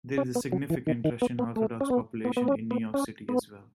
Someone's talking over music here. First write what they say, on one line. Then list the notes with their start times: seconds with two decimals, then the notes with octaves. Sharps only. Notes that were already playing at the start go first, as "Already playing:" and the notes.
There is a significant Russian Orthodox population in New York City as well.
0.18 C#4
0.35 B3
0.52 F#3
0.70 E3
0.87 D#3
1.04 D#3
1.22 B3
1.39 B3
1.56 A3
1.81 C#4
1.90 B3
2.25 B3
2.37 B3
2.48 C#4
2.71 B3
2.94 C#4
3.29 B3